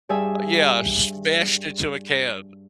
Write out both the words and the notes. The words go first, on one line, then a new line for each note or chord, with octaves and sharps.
yeah, smashed into a can.
G2 G3 G#4 E5 G#5 E6